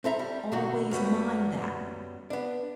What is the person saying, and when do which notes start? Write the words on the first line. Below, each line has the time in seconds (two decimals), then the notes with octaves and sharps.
Always mind that.
0.04 C4 A4 E5 A#5
0.19 G3
0.52 B2 D3 D#3 F#4
0.91 F#2 F#3 G3 B3
2.30 B3 D4